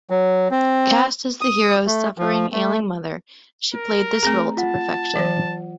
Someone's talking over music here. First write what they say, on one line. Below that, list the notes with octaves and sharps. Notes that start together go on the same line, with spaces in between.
Cast as the hero's suffering, ailing mother, she played this role to perfection.
F#3
C4
D#6
A3
F3
A3
A#4
A3 C4 G#4 A#5
F4 F#5 A5
E3 F#3 C5